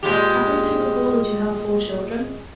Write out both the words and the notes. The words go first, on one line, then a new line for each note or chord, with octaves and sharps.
Happened to recall that you have four children.
A#2 G#3 G4